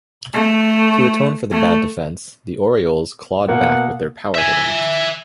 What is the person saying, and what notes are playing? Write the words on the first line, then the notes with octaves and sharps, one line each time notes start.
To atone for the bad defense, the Orioles clawed back with their power hitting.
A3
A3
B2 A#3 F#5
E5 G#5